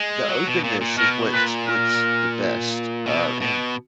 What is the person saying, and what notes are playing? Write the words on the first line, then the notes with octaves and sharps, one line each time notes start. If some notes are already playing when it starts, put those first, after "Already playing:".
the openness is what's what's the best, uh, and
Already playing: G#3
F#3
B2
A#2
A#2
B2 A#4
A#2 B4
A#4
B2
B2